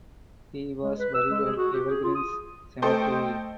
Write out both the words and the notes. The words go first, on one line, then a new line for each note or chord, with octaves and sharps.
He was buried at Evergreens Cemetery.
G#3
B4
E6
G#3
G#4
F#4
G4
G#4
F4
D#6
A3 A4 C5 D#5 G5